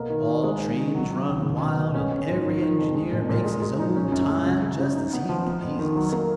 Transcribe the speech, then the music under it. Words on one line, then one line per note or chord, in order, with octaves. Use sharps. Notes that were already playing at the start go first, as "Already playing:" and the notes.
All trains run wild and every engineer makes his own time, just as he pleases.
Already playing: B2 A#3
D#3
D#3
G#3
D#3
D#3
F#3
F#3
D#2
C#2
B2
B2
C#4
C#4
G#2
D#3
D#3
F2
G#3
A#2
A#2
G#3
G#3
D#4
C#4
F#2
G#3
C#3
C#3
C#3
D#4
B3
F3
B3
F2
D#3
F#3
A#3